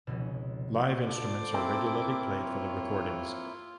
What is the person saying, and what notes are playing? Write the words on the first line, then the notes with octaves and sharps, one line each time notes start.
Live instruments are regularly played for the recordings.
F1 C#2 B2
A#2 D3 A4 C5 D6
A#3 C4 E4
F4 C#5